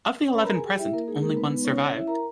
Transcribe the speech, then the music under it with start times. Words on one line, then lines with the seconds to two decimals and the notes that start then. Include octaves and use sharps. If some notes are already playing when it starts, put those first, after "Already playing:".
Of the eleven present, only one survived.
0.22 C#4 C#5
0.33 B4 B5
0.44 A#4 A#5
0.55 G#4 G#5
0.65 G4 G5
0.79 E4 E5
0.93 A#3 A#4
1.08 G#3 D#4 G#4
1.22 A#3 A#4
1.37 B3 B4
1.51 B3 B4
1.65 C#4 C#5
1.79 C#4 C#5
1.93 E4 E5
2.08 A#4 A#5